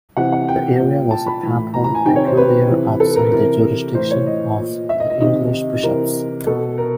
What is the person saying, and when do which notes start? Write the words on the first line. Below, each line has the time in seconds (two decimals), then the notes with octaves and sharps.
The area was a papal peculiar outside the jurisdiction of the English bishops.
0.17 C3 E3 F#5
0.32 F#5
0.48 G5
0.80 A#2
1.11 A5
1.27 B5
1.43 A2 E3
1.74 A#5
1.84 A#5
1.95 G#5
2.05 C3 D#3 G5
2.16 C#5
2.27 C5
2.37 B4
2.68 C3 E3
3.00 A4
3.16 A#4
3.31 C3 E3 A#4
3.95 A2 E3 C5
4.11 C#5
4.27 D#5
4.58 A#2
4.89 E5
5.00 D#5
5.10 D#5
5.20 C3 D#3 D#5
5.83 C3 E3 A#4
6.47 B2 A4
6.78 A#4